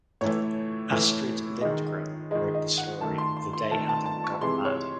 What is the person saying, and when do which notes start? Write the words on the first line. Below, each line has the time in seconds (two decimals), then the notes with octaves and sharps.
Astrid Lindgren wrote the story "The Day Adam Got Mad".
0.21 A2 E3 A3 C#5
0.92 A2 E3 A3
1.61 D#3 G#3 D#5
2.31 D#3 G#3 D#5
2.55 D#5
2.78 F#5
3.01 D#3 A3 A5
3.18 C6
3.37 C6
3.53 C6
3.71 D#3 A3 A5
3.89 A5
4.06 A5
4.24 C#6
4.41 C3 E3 G#3 C6
4.65 C#5